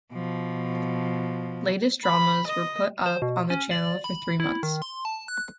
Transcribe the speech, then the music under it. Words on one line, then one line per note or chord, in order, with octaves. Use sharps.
Latest dramas were put up on the channel for three months.
B2 F3
B5
D#5
C5
B2
C#4
D5
B5
E4
D#3
C6
A5
F#6